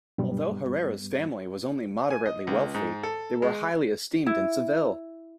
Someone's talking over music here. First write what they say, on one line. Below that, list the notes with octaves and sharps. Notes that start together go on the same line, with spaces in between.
Although Herrera's family was only moderately wealthy, they were highly esteemed in Seville.
G2 B2 F#3 G3 B3
G#5
D#5
C#2
G#2
A4
G#3
E4